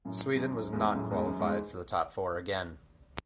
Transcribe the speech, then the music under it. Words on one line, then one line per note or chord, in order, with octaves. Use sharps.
Sweden was not qualified for the top four again.
F#2 A2
F#2
F#2
E2 G#2
F#2 A2
E2 G#2
F#2
E2 G#2